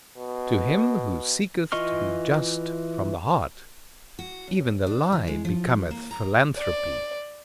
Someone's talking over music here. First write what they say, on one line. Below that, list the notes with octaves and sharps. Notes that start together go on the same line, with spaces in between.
To him who seeketh to be just from the heart, even the lie becometh philanthropy.
B2
E3 F4 D#5 C#6 F6
F#4
F#2
D4
E3
G#3
F3
A#3
A#5
D5